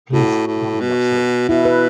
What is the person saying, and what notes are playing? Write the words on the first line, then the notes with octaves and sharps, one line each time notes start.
Please, don’t be absurd.
A2 F#4
A2
B2
B2 E4
B4